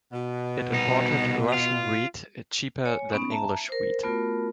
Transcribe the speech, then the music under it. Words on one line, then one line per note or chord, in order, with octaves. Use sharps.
It imported Russian wheat, cheaper than English wheat.
B2
C2 D#4
F4
C#5 G#5
B3 C#4 D#4
E5 A5 A#5
A#4 C5
A3 B3 F4 F#4 A#4